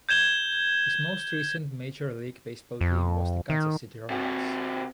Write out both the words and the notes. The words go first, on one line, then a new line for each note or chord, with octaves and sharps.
His most recent Major League Baseball team was the Kansas City Royals.
G6 G#6 E7 G7
F2
D#3
C3 F#4